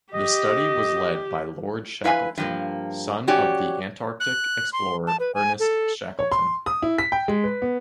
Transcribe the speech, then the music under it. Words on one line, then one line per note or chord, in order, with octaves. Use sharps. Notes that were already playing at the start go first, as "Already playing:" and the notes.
The study was led by Lord Shackleton, son of the Antarctic explorer, Ernest Shackleton.
G4 D#5
E4 B4 F5 G#5
G2 F3 A#3
C#4 F#4 G4 C#5 D5
F#6
C6
A5
B4
G#5
A4
C#5
C6
D#6
E4
B6
G5
G#3
B4
B3